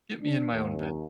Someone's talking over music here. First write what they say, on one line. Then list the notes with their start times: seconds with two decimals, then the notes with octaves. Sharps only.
get me in my own bed."
0.22 D4
0.52 D#2